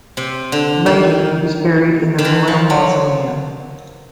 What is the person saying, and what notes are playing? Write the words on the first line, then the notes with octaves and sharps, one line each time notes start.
Later he was buried in the royal mausoleum.
C3
D3
D#3
D#3
E3
F3
F#3